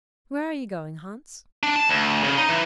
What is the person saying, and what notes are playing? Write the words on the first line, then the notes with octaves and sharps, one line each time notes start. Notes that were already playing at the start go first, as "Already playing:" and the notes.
'Where are you going, Hans?'
D4
A5
D2
C#3
D#4
E3